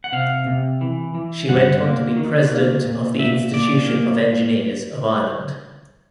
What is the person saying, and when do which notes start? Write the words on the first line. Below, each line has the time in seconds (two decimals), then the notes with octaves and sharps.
She went on to be President of the Institution of Engineers of Ireland.
0.04 F#5
0.12 C3 F5
0.46 C3
0.81 E3
1.15 E3
1.49 G2 F#5
1.82 A#3
2.17 D#3
2.50 A#3
2.85 A#2
3.19 A#2 E5
3.53 A#2 D5
3.87 A#3